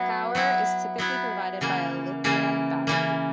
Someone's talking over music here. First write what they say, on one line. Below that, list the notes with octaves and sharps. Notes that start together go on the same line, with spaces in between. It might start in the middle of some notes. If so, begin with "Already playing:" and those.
Power is typically provided by a lithium battery.
Already playing: F#3 B3 E4
F#3 B3 E4
F#3 B3 E4
C#3 E3 A#3
C#3 E3 A#3
C#3 E3 A#3